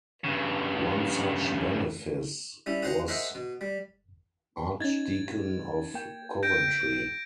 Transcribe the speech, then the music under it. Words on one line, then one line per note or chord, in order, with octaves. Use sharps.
One such benefice was Archdeacon of Coventry.
G2 C#3
G3 C#4 E4
F#4 G#4 C5 C#5 F#5 A#5
G#4 A#4 C5 D#5 E5 F#5
B2
G3
C#4 D#4 G#6 A6
A#3 G5
G6 A#6 D7